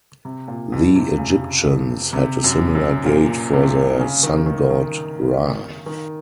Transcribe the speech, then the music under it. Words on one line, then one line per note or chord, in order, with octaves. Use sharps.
The Egyptians had a similar gate for their Sun-God, Ra.
C3
A#2
F2
C3
C#3
C3
F#2
F#2
A#2
C3
C#3
D#3
D#3
D#3
D#3